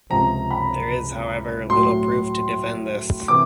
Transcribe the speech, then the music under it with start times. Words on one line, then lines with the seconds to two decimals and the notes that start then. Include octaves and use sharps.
There is, however, little proof to defend this.
0.10 C#2 C3 F3 A#5
0.51 B5
1.69 A2 F#3 C6
3.28 C3 E3 D6